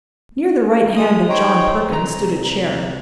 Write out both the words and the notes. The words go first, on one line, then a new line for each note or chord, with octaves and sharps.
Near the right hand of John Perkins stood a chair.
G#3 D#6
D#4 C5 C#5 G5
C2 A#5